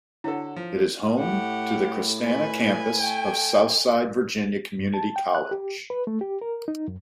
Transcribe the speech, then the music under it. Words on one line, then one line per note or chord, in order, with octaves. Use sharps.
It is home to the Christanna Campus of Southside Virginia Community College.
D3 E4 F#4 A4 C#5
F3
A2 G4 F#5
B4 G#5
A3 G5
G2
A5
G5
F#6
G4
B4
A3
G4
A#4
D#4
F#2